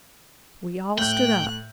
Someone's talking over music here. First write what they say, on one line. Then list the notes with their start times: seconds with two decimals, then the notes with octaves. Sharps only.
We all stood up.
0.98 A2 G5 F#6 G6